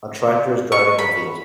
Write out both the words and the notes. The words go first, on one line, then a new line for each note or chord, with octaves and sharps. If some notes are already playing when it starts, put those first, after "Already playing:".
A tractor is driving in a field.
C#6
B5